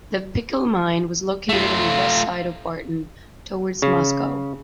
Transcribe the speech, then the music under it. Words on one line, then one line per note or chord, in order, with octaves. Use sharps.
The Pickell Mine was located on the west side of Barton towards Moscow.
A3 F4
C#3